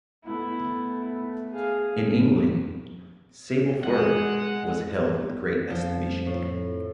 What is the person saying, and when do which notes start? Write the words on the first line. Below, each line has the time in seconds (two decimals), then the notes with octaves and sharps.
In England, sable fur was held with great estimation.
0.25 A3 B3 E4
1.52 G#4 F5
3.83 G#3 F#5
5.70 F2 F3
6.26 A2